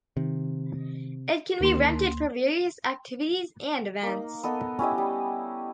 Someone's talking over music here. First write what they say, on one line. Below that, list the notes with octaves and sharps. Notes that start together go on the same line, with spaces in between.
It can be rented for various activities and events.
C3 D#3
D2 D#3 A#3 C6
A#3 D#4
B3 A4 D#5
C#4 E4 G4 D#5
G3